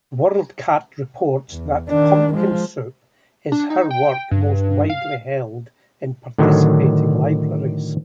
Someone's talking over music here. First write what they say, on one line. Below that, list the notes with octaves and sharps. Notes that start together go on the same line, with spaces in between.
WorldCat reports that "Pumpkin Soup" is her work most widely held in participating libraries.
E2
D#3 D4
F3 G#3
D4
D#4
G5
G2
F5
A2 D3 D#3 F#3